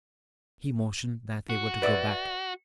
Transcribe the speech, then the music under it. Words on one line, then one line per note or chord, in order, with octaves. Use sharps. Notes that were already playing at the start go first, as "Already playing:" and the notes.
He motioned that they were to go back.
F#4
B4 D5 E5